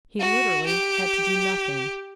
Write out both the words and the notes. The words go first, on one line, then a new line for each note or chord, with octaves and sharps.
He literally had to do nothing.
F#4
G4